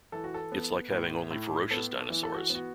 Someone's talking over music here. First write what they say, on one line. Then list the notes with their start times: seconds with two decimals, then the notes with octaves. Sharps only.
It's like having only ferocious dinosaurs.
0.12 E3 A4
0.24 F#4
0.34 A4
0.52 B3
0.92 A2
1.31 A2
1.71 B3 A4
1.97 A4
2.10 E3
2.23 A4
2.34 F#4
2.50 B3
2.55 F#4